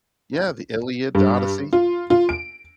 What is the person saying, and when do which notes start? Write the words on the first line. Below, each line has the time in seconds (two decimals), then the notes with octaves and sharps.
Yeah, the Iliad, the Odyssey.
1.15 G2
1.73 F4
2.10 F4
2.29 D7